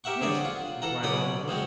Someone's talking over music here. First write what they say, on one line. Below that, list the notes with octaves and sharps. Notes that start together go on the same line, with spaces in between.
'Yes,' replied Oliver.
G4 A#4 E5 F#5 C#6
D3 C4 G#4 C#5 D5
F4 F#5
E3 A4 F#5 A#5
C#3 F#3 C#4 D5 B5 D#6
F3 G#3 C4 F#4